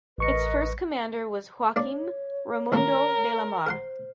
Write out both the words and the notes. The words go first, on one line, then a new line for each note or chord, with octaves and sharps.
Its first commander was Joaquim Raimundo de Lamare.
A1 A#4 B4 D#5 C#6 C#7
A#3 D4 C#5 D5
D#2 A2 A#3 A#4
A#4 C5 F#5 C6